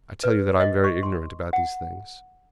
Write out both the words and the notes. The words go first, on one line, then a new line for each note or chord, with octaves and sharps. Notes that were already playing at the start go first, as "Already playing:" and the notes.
"I tell you that I am very ignorant about these things."
B4
D#5
C#6
C6
F#5